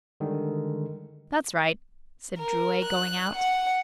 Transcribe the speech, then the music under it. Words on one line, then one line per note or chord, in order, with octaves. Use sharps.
"That's right," said Drouet, going out.
D3 D#3 G3 G#3
A#4
F#6
F#5